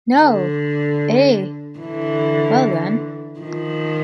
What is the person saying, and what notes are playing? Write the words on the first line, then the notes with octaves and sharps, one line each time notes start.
No! Eh! Well then?
D3
D3 E3
D#3 F3